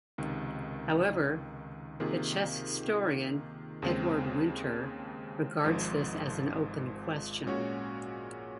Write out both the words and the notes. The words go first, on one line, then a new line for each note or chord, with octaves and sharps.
However, the chess historian Edward Winter regards this as an open question.
C#2 C3 D#3
C3 D#3 A#3 F4 G#4
D#2 C#3 G#3 C4
G#1 G#2 F3
A#2 G#3 C#4 F#4 C#5